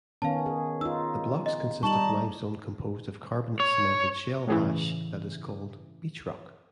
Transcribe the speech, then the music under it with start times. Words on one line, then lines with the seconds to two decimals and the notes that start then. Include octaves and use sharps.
The blocks consist of limestone composed of carbonate-cemented shell hash that is called "beachrock".
0.22 D#3 B3 C#4 F5 A5
0.46 G#4
0.81 D#4 F4 E6
1.46 D#5
1.83 G3 D#4 A5 C#6 F#7
3.60 C#5
4.47 A2 C#3 E3